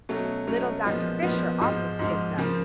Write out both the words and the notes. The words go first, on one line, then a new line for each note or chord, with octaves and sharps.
Little Dr. Fisher also skipped up.
B2 F#3 A3 C#4
B2 F#3 A3 C#4
A#2 F3 G#3 B3
A#2 F3 G#3 B3
G#2 F3 G#3
G#2 F3 G#3
C#3 F3 A#3